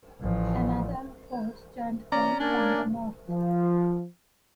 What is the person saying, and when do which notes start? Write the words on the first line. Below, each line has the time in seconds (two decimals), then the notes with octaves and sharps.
Another force joined them from the north.
0.20 A1 F3
2.12 E3 C#4 D5 A#5
2.40 A#3 D4 A#4 G#5
3.29 F3